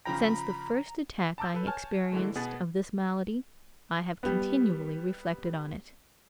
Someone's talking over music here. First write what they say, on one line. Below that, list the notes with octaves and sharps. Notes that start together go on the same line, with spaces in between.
Since the first attack I experienced of this malady, I have continually reflected on it.
C#3 F3 G5 A#5 B5
A5 A#5 D6 E6 G6
A4 B4
C#5 G#5 A5 F6
D3 E3 G#3 A3
B2 B3 G#4 A6
G3 B3